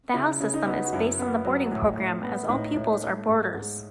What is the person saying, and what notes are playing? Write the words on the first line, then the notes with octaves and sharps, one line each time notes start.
The house system is based on the boarding programme as all pupils are boarders.
C#3 E4
C#3
D#4
B3
F#4
F#2 E4
B3
F#3
A2
A2
B3
A2 D#4
A2
A3
G#2
G#2